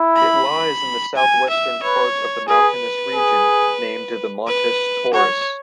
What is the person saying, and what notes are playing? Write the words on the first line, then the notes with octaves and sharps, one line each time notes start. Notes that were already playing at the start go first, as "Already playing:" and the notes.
It lies in the southwestern part of the mountainous region named the Montes Taurus.
Already playing: E4
B5
G#5
E5
B4 C#5
G#4 B4
G#4
B4
F#4 C#5